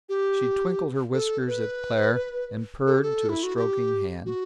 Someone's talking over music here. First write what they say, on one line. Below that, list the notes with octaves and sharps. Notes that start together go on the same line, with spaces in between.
She twinkled her whiskers at Claire, and purred to a stroking hand.
G4
A4
B4
A4
G4
A4
E4
F#4
G4
F#4